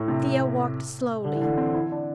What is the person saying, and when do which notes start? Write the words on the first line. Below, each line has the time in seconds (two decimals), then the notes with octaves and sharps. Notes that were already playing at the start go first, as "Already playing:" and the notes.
Thea walked slowly.
Already playing: A2
0.08 C3
1.24 D3
1.35 E3
1.41 D3
1.58 C4
1.74 E4
1.91 D4